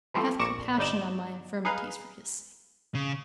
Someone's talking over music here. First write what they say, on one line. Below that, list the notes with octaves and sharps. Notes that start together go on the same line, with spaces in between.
Have compassion on my infirmities for his sake.'
E3 F3 G3 A3 C4
A#1 A#2 D5 C#6 A#6 E7
G1 G3 D#4 D5 E7
D#4 G#4 B4 F5
C#3